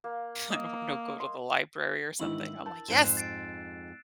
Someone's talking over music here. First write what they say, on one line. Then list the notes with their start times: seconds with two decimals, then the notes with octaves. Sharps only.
I don't know, go to the library or something, I'm like, "Yes,
0.04 A#3
0.50 A#3 D#5
1.20 C6
2.20 G#2 D#3 E3 D4 E4 E6 F#7
2.66 A#4 A5
2.88 F2 G#2 C5 F#6 C7 E7
3.17 A6 C7 D7